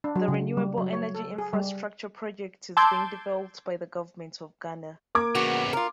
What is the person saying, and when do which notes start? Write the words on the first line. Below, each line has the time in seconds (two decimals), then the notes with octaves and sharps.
The renewable energy infrastructure project is being developed by the government of Ghana.
0.04 D4
0.16 F#3
0.28 C#3
0.57 G3
0.78 F#3
0.93 C#5
1.15 A4
1.38 G#4
1.53 G3
2.77 A5 C6 D6 E6 G6 G#6
5.15 A#3 D6 G#6
5.35 C#3 B3 F#4
5.73 F4 A#4